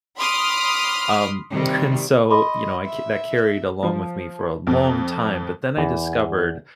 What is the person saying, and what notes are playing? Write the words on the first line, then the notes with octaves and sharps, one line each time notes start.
Um, and so, you know, I that carried along with me for a long time, but then I discovered,
B5 C6 D6 D#6 F6
C3 D#3 G3
D#5 B5 C6 D6
E5
F3
F2
E2